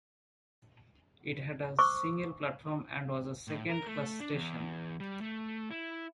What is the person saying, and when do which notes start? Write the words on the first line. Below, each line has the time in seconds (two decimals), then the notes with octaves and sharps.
It had a single platform and was a second-class station.
1.79 C5 C#6 D6 E6
3.48 A2
3.70 A#4
3.86 A3
4.20 D4
4.34 E2
5.00 G3
5.21 A3
5.71 E4